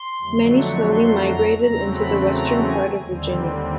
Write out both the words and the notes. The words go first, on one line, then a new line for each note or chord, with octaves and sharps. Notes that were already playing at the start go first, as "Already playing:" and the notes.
Many slowly migrated into the western part of Virginia.
Already playing: C6
F2 D3 F#3 A3
C#6
C6
A#5
E2 C#3 F#3 A3 C4 A#5
B5
A#5
G#5
D#2 D3 G3 C4